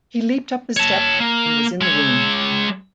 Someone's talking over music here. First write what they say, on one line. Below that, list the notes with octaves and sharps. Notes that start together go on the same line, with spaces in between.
He leaped up the step and was in the room.
C#5 A5
A#3
G#3 C#5